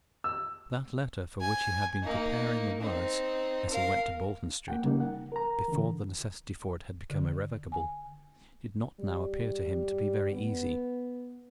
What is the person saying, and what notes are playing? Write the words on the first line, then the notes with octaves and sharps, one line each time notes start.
That letter for which he had been preparing the words as he went to Bolton Street, before the necessity for it had become irrevocable, did not now appear to him to be very easy.
E6
G#5
A#3 D#4
C4 D#4
A#4 F5
A#3 F#5 G5
C#3 G3 A#3 D#4
F#5
A#4 A#5
D3 E3
D3
G#5
G3
B3